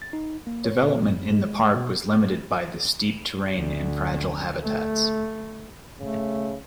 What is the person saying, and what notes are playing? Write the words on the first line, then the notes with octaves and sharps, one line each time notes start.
Development in the park was limited by the steep terrain and fragile habitats.
A6
D#4
A#3
C#5
A#2
F#2
G#3
B2
D2
A3
C#3 A3